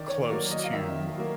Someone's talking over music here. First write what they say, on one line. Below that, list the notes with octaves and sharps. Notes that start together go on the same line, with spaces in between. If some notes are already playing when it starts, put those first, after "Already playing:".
close to,
Already playing: D#3 D5
C#5
F#3 A#3 D5
D#5
F5
D#3 E5
F#3 A#3